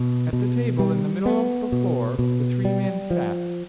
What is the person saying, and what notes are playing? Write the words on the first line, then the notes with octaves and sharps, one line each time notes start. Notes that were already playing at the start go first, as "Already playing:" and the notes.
At the table in the middle of the floor the three men sat.
Already playing: B2
B2
G3
B3
B2
B2
G3
F3